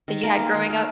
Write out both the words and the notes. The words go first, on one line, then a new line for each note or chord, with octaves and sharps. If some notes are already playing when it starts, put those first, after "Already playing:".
that you had growing up?
D#3
A#3 A#4
A#3
D#3
A#3